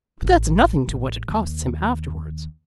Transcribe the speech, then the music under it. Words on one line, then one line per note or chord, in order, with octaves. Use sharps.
But that's nothing to what it costs him afterwards.
A1
A1
D#2